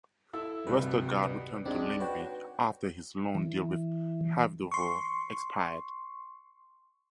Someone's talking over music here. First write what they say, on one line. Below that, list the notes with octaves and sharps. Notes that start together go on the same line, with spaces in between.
Westergaard returned to Lyngby after his loan deal with Hvidovre expired.
E4 A4 E6
D1 G2 C3 D#3 G3 B3 B4
C#2 G#3 C4 D4 D#4
F#4 B4 C#5 G5
E3
C6 C#6